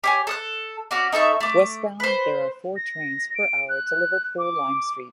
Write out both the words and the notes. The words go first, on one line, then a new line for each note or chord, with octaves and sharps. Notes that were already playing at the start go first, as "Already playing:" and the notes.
Westbound, there are four trains per hour to Liverpool Lime Street.
G4 C#5 G#5
A4 D#6 F#6
C#4 F#4 D5
D#4 A4 E5 C#6
A3 D6
B4 C5
A#6
D7
F#6
D6